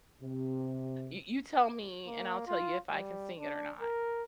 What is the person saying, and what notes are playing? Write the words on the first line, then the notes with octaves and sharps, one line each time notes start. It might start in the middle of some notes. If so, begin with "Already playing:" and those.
You you tell me, and I'll tell you if I can sing it or not.
C3
A#3
F4
G3
D4
A#4